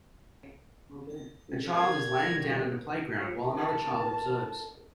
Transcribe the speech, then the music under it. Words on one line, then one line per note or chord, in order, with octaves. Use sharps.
A child is laying down in a playground, while another child observes.
A#4 D5 F5 G#6
B2 D#3 G3 A#6
A#4 A5